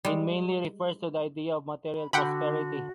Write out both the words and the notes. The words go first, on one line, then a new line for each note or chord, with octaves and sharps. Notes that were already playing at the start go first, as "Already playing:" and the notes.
It mainly refers to the idea of material prosperity.
G3 G#3
B5
D3 F#4 F#5 G5 B5